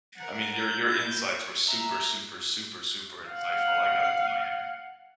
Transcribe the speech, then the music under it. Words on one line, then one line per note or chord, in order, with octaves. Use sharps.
I mean, your your insights were super, super, super, super insightful, I gotta tell you.
A#4 F#5
G6
E4 G6
C#6
E5 A#5
F5 F#5